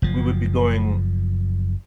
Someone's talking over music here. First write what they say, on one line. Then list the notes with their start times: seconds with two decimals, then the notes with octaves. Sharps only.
we would be going
0.02 F#1 F3